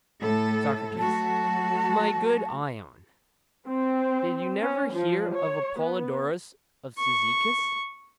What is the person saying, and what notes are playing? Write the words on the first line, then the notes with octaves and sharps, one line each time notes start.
SOCRATES: My good Ion, did you never hear of Apollodorus of Cyzicus?
A2 A4
F#3 A3 F#4 A5
C4
C#4
F3
C#5
B3
C#6